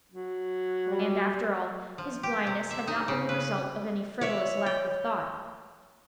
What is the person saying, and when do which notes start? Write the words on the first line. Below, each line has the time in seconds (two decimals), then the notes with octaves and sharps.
And, after all, his blindness had not been the result of any frivolous lack of thought.
0.12 F#3
0.87 G3
1.98 F3
2.23 G4
2.47 C3
2.70 E5
2.87 D#4
3.08 C#3
3.29 B4
4.21 C#5 D5 E5
4.66 G5